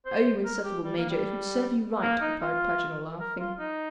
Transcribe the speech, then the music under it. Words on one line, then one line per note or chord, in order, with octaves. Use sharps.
"Oh, you insufferable Major; it would serve you right," replied Paganel, laughing.
C5
A#4
G4
G3
A#3
G3
A#3
D#4
F4
A#4
F4
D#4